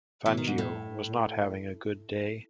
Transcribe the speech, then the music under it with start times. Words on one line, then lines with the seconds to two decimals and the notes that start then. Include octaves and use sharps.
Fangio was not having a good day.
0.26 B2 E3
0.37 D#3
0.47 G#2
0.58 A2